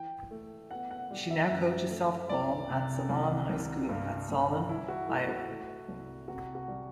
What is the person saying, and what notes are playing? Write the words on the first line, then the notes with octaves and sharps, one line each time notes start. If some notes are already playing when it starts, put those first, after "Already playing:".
She now coaches softball at Solon High School in Solon, Iowa.
Already playing: E3 G5
A3
B3 F#5
F#5
G3
E5
F#2 E5
A3
C2 D5
C3
C2
C2
G2
G2
E3 E4
F#4
A3 E4
F#4
A3
C2
C3 F#4
F#4
G3